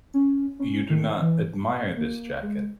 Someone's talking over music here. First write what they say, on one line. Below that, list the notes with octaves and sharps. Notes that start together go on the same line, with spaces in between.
You do not admire this jacket?
C#4
C#4
D#3
E3
A#3
G#3